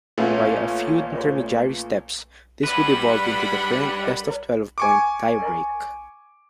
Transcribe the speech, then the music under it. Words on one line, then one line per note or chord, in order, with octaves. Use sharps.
Via a few intermediary steps this would evolve into the current best-of-twelve-point tie-break.
A#2 A3 B3 C#4
G3 B4 F#5 B5
G#5 C#6 D6